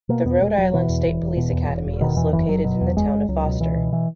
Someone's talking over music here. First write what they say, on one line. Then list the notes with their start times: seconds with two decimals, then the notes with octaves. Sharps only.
The Rhode Island State Police Academy is located in the town of Foster.
0.09 B2 A#3
0.25 E2 B3
0.41 E1 G#3
0.57 E1 F#3
0.73 B2 E3
0.89 E2
1.05 E1
1.21 E1
1.37 B2
1.53 E2
1.68 E1
1.85 E1
2.01 B2 D#3
2.16 E2 E3
2.33 F#1 E3
2.49 F#1 F#3
2.64 B2 F#3
2.81 E2
2.96 F#1 G#3
3.12 F#1
3.28 C#2 F#3
3.45 B2
3.60 C#2 E3
3.76 B2
3.93 E3